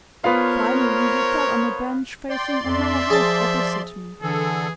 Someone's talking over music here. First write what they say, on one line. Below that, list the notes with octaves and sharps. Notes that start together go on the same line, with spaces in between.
Finally he fell on a bench facing another house opposite me.
B3 F4 A#4 C5 C#5 F5
D5 G5 C6
F2 E5
F3 G#4 A5
D3 E3 G#4 A4